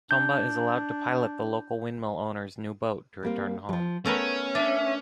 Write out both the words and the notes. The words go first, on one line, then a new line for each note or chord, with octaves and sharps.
Tomba is allowed to pilot the local windmill owner's new boat to return home.
D4 G6
G3 A#3 C4
F3 F#3
A3 B3 C#4 A#4 B4
D4 E5